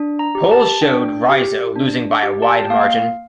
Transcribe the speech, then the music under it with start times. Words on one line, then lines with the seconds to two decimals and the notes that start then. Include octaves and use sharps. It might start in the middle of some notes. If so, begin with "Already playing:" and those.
Polls showed Rizzo losing by a wide margin.
Already playing: D4
0.19 A#5
0.35 G4
0.51 A5
0.82 D4 G5
1.29 G4
1.76 D4
2.23 G4
2.42 A5
2.56 G5
2.70 A#3 F5